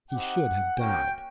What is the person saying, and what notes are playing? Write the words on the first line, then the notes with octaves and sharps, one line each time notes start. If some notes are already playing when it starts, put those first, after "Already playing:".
He should have died.
C4 D#4 G4 F#5
A#3 C#4 F#4 G5